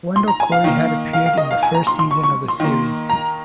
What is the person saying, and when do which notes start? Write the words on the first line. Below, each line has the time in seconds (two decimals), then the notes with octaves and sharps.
Wendell Corey had appeared in the first season of the series.
0.16 C6
0.28 A#5
0.40 G#5
0.52 F5
0.64 D#3 A#3
1.13 F5
1.26 F5
1.37 D#5
1.51 F5
1.63 G#5
1.74 A#5
1.87 C6
1.99 C6
2.11 C#6
2.23 C#6
2.48 C6
2.60 D#3 A#3
3.10 A#5